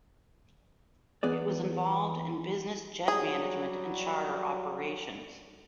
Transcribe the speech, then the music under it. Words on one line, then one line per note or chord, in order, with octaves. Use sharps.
It was involved in business jet management and charter operations.
E2 B3 G#4 D5
F#3 G3 G#4